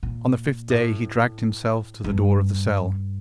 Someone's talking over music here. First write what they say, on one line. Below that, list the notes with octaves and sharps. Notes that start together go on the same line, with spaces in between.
On the fifth day he dragged himself to the door of the cell.
A#2
A2
G2